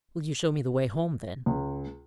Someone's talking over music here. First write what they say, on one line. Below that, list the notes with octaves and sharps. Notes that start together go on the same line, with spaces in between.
"Will you show me the way home, then?"
C#2